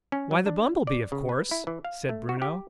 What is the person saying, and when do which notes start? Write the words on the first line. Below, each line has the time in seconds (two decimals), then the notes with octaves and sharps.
"Why the bumble-bee, of course!" said Bruno.
0.12 C#4
0.31 F#3
0.46 D4
0.87 D5
1.12 C#3
1.29 B4
1.51 E4
1.67 E3
1.85 F5
2.09 A3
2.29 F#4
2.42 G4